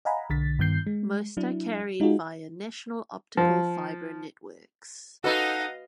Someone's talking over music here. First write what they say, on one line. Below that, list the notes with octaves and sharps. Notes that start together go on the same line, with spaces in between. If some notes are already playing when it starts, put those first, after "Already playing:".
Most are carried via national optical fibre networks.
D#5 F5 F#5 G#5 A#5 B5
B1 D3 A6 B6
G2 D#3 B3 G6 C7
G#3
F#3 D4 E4
G#3 D#4 F4 F#4 G#4
F3
D#4 F#4 A4 B4 D#5 F5 F#5